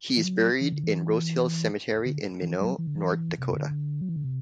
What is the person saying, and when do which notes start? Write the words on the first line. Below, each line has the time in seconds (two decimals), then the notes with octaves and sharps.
He is buried in Rosehill Cemetery in Minot, North Dakota.
0.17 E3
0.24 F#3
0.61 E3
0.72 D3
0.84 E3
2.06 D3
2.42 E3
2.61 F#3
2.78 E3
2.87 D3
2.95 E3
3.40 C3
3.51 D3
4.01 F#3
4.09 E3
4.16 D3
4.24 C3